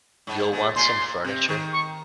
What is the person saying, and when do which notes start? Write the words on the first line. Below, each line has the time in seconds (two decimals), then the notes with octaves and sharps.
You’ll want some furniture.
0.27 G#2
0.52 A#2
0.75 A#2 C6
1.24 C3
1.48 D#3
1.72 C#6